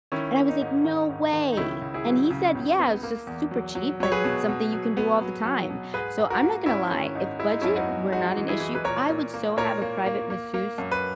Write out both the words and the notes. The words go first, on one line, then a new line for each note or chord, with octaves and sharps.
and I was like, "No way!" And he said, "Yeah, it's just super cheap and something you can do all the time." So I'm not gonna lie, if budget were not an issue, I would so have a private masseuse,
D#3 C#4 E4
A#3
D#4
G#2
D#3
G#2
D#3
D#4
C#2 C#4 E4
C#2
E4 G#4
F#3
C#3
C#2
B3
A#3
E2
F#3
F#3
F#3 C#5
G#4 B4
B2
B2
F#3
B3
F#3
F#3
B2
G#2 G#4 B4
G#2
F#4 A#4
A#3
G#2 C#4 E4
D#3 C#4
G#2 D#4
G#3 E4
D#4
F#2 C#4 E4
D#4 F#4
B3
G#3 D#4 F#4
E3
E4 G#4
E3
B4
A#2 A#4 C#5
A#2
A#3
A#2 A#4 C#5
A#3
A#3
A#3
A#3
F#2
B4